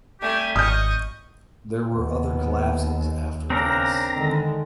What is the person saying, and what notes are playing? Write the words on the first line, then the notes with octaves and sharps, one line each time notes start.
There were other collapses after this.
G3 A3 C4 G4 G#5
G#1 D#5 C#6 D#6 F6 G6
D#2 B3
C#3 C4 D4 A#4 A#5
D3 D#3 G#3